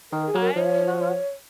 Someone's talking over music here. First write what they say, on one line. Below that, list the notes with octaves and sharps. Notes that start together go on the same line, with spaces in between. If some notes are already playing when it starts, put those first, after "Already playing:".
I ha
D#3 A#4
G#4
F#3
A#4
F3 C#5
C#5